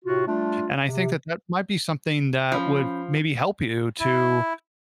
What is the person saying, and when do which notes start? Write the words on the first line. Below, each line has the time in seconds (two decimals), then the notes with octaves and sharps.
And I think that that might be something that would maybe help you to
0.04 A2 C3 F4 F#4
0.27 G3 A3 D4 F4
0.86 C3
2.52 F3 C#4 B5 G6
4.00 E4